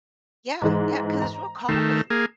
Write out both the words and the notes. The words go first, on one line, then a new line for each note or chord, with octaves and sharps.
Yeah, yeah. 'Cause it's real calming,
G#2 E3 G#3
A#5
D#3 A3 C7 E7
A#3 G#4